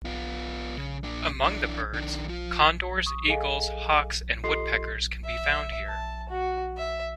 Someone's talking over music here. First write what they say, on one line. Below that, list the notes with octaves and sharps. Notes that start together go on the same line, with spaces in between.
Among the birds, condors, eagles, hawks and woodpeckers can be found here.
B3 F4
C#3
A#2 D4
E3 D4
D#3 D4
F3 F4
C#6 D#6
G#4 A4 D#5 F5 G#5
F4 G4 A4 D#5 C6 C7
E5
A5
F#4
E5